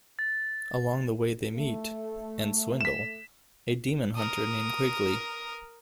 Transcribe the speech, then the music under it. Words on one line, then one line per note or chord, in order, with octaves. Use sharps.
Along the way they meet, and swindle, a demon hunter named Quigley.
A6
A3
B6 E7
A#4 D#6